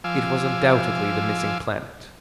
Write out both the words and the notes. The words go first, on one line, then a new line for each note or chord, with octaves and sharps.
It was undoubtedly the missing planet.
F3 F5 G#5 D6 E6